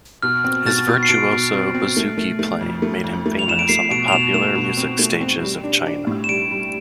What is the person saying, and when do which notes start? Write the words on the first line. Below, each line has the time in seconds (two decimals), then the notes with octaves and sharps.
His virtuoso bouzouki-playing made him famous on the popular music stages of Chania.
0.22 B2 F6
0.44 C4
0.66 B2 A6
0.88 B2
1.03 C7
1.09 B2 D7
1.31 B2
1.53 C4
1.74 C4
1.97 A3
2.18 A3
2.39 A3
2.61 F2
2.82 A3
3.04 F2
3.26 A3
3.39 F7
3.48 F2 E7
3.59 D7
3.69 A3 C7
3.91 B2 D7
4.08 F7
4.13 B2 E7
4.34 A3 E7
4.55 B2
4.77 C4
4.99 A3
5.21 C4
5.42 G3
5.64 D4
5.86 D4
6.07 A2
6.24 E7
6.29 G3 D7
6.51 G3